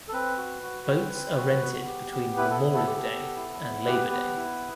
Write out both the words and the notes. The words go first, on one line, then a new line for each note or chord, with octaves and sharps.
Boats are rented between Memorial Day and Labor Day.
A4
C4 B4
F#4
F#4
C4
C4
F#4
B3
G4
B3
E4 B4
A4
B3
A4
G4
B3
E4
B3
G4 B4
B3
E4